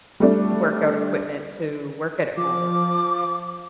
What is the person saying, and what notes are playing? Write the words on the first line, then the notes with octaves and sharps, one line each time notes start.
workout equipment to work at home
G3 A3 D4
F3 D6